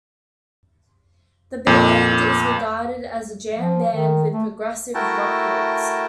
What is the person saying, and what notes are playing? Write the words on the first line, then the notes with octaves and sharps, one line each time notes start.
The band is regarded as a jam-band with progressive rock roots.
F2 A#2
F3
D#3
A3
A3 E4 F#4 A#4 G5 A5